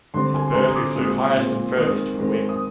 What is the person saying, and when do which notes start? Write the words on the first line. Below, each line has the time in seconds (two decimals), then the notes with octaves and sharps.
The bird who flew highest and furthest would win.
0.14 D3 G3 C4 C6
0.34 G#5
0.48 C6
0.54 D3 G3 C4 A#5
0.67 D#6
0.75 D6
0.95 A#2 G#3 C4 D#6
1.37 A#2 G#3 C4
1.77 D#3 G#3 C4 D#6
2.19 D#3 G#3 C4
2.49 D#6